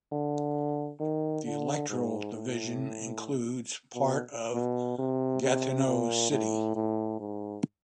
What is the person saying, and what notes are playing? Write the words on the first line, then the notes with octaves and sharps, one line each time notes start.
The electoral division includes part of Gatineau city.
D3
D#3
D3
G#2
A2
B2
B2
C3
C3
A#2
A2
A2
G#2